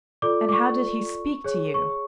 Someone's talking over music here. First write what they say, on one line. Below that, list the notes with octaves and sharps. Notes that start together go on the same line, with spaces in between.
'And how did he speak to you?'
F4 A4 D5 D6
D6
C#6
G#4 C#5
C#6